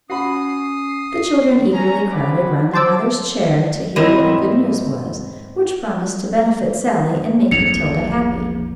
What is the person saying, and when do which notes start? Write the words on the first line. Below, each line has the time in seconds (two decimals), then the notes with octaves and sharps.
The children eagerly crowded round their mother's chair, to hear what the good news was, which promised to benefit Sally, and make Matilda happy.
0.10 C#4 F#4 B5 D#6 C7
1.74 C#4 A#5
2.10 G3 C4 F#4 G4 G#5 B5
2.73 C5 A5 D6 E6
3.96 G#2 E3 C4 E4 A#4 D#5
7.51 A#1 E2 C#7 F7